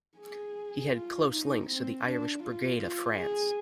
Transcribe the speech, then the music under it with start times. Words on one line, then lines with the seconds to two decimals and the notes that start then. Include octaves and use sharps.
He had close links to the Irish Brigade of France.
0.18 G#4
0.93 F4
1.30 D#4
1.67 C4
2.04 D4
2.43 F4
2.79 F4
3.17 G#4